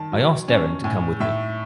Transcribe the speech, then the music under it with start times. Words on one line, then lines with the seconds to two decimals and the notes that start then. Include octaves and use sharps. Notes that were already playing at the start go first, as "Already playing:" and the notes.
I asked Deren to come with me.
Already playing: D#3 A5
0.12 F#3
0.48 C#4
0.84 A2 G#5
1.20 A2 E5